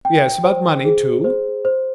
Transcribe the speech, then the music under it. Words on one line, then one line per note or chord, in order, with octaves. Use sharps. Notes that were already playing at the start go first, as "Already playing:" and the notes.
"Yes, about money, too."
G5
C5
G#4
C5
C5